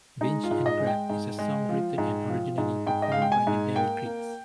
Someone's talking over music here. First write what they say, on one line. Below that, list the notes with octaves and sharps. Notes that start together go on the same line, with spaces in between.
Binge and Grab is a song written and originally performed by the Deli Creeps.
G#3 D#4
F4
G#2
D#5
G#3
G5
G#2
G#3
F3
G#2
F3
G#2
G#2 G5
D#5
G#3 F5
G5
G#5
G#2
A#3 G5
A#3